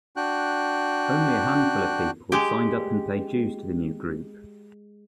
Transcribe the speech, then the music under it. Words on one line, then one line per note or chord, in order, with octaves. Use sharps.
Only a handful of people signed up and paid dues to the new group.
D4 F#4 G5 F#6
G#3 G4